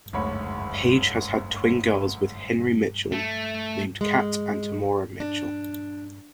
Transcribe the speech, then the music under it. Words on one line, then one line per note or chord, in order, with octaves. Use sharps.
Paige has had twin girls with Henry Mitchell named Kat and Tamora Mitchell.
F#1 D2 G#2 C#5 B5
A3
G#3
D4